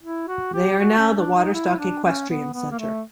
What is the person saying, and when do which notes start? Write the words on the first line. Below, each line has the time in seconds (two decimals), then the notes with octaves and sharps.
They are now the Waterstock Equestrian Centre.
0.03 E4
0.28 F#4
0.53 G4
0.79 F#4
0.98 C#4
1.16 D4
1.35 D#4
1.54 E4
1.79 D4
2.04 C#4
2.29 B3
2.53 B3
2.71 A#3
2.79 A3